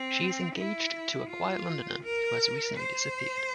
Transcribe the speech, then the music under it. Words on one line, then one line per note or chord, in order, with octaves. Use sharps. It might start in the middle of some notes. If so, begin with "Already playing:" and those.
She is engaged to a quiet Londoner who has recently disappeared.
Already playing: C4
E4
F4
A#4
C5